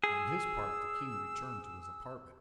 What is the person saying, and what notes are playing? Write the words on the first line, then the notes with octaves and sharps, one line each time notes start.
On his part the king returned to his apartment.
G#4 E6